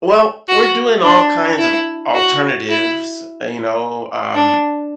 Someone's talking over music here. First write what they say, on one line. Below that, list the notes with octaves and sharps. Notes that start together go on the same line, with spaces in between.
Well, we're doing all kinds of alternatives, you know, um,
F#4
D4
E4
F#4
E4
D4